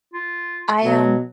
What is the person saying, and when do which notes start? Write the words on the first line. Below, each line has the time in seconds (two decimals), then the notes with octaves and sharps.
I, um,
0.14 F4
0.84 B2 F#3